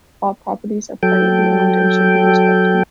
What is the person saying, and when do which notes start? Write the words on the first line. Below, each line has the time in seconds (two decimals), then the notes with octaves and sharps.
All properties are privately owned and should be respected.
1.03 F#3 A4 G5